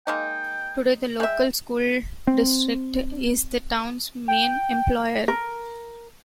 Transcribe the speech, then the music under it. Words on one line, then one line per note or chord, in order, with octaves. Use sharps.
Today the local school district is the town's main employer.
G#3 A#3 D#4 G5
G#3 E5 G5
C4
G5
A#4